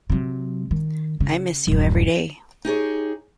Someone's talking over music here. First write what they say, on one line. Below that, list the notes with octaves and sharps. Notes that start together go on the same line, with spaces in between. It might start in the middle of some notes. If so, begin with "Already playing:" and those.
I miss you every day.
C3 F#3
D#3
C#3
D1 F#2
D#4 G4 G#4 C#5